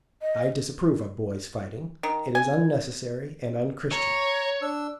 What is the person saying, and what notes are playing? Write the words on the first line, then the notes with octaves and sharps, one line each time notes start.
I disapprove of boys' fighting; it is unnecessary and unchristian.
D#5
D#3
G#5
C#5 A#5
D4 E6